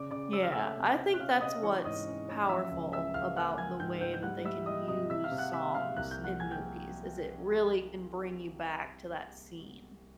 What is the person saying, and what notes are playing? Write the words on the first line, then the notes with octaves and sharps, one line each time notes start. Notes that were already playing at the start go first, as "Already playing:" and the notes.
yeah. I think that's what's powerful about the way that they can use songs in movies, is it really can bring you back to that scene.
Already playing: C#3 D5 D6
C#3 D5 D6
C#4 E6
F6
A3 E5 E6
C3
C#4
F#6
C#4 F5 F6
C3 D#5 D#6
E3 C#5 C#6
G#2 D#5 D#6
C#4
C#4
F3 E5 E6
C#2
C#3 E5 E6
C#2 F5 F6
A#3 F#5 F#6
F3 G#5 G#6
G#2 G5 G6
G#2 G5 G6
G6
G3 F#5 F#6
G3 E5 E6
G3 D#5 D#6
C3 D#5 D#6
C3 E5 E6
F5 F6
C3
F#5 F#6
C3 E5 E6
C3 F5 F6
C2 F#6
G6
F3
F#5 F#6
C3 G#5 G#6
G5 G6